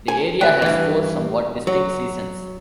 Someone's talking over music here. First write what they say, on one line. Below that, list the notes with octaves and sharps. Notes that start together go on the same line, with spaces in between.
The area has four somewhat distinct seasons.
G#5
B4 E5 G5 G#5
G2 E3
F#3